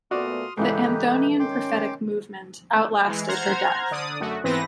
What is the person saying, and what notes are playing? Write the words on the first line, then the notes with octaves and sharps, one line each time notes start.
The Anthonian prophetic movement outlasted her death.
A#2 A3 B3 F#4 D5 C6 D#6 F6
G#2 C#3 E3 D#4 E4 G4 A4 B4
D#3 C#4 G5 C6 D6
E3 G#3
C5 F#5 A#5 F6 G#6
D3 D5 D#6
F#2 A3 F#4
G#2 E3 B3 C4 B4 A#6